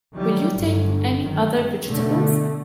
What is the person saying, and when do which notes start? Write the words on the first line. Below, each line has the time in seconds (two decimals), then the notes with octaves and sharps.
Will you take any other vegetables?
0.13 D#3 E3 F#3 G3
0.53 G1 A2 D3
1.17 F#2 D#3
1.86 B2 D3 A3